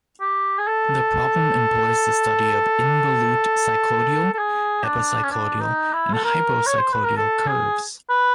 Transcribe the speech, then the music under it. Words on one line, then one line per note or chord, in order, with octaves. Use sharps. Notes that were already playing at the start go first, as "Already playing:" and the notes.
The problem employs the study of involute cycloidal, epicycloidal and hypocycloidal curves.
G4
G#4
A4
A4
G#4
D4
C#4
D4
D#4
E4
A4
A#4
C#5
C5
B4
A#4
A4
G#4
B4